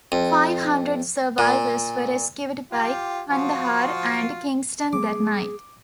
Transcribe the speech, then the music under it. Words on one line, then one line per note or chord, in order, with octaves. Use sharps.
Five hundred survivors were rescued by "Kandahar" and "Kingston" that night.
F2
A#2
F4 G4
F3 F4 F#4
F#3 G#3 B3 G#4 D6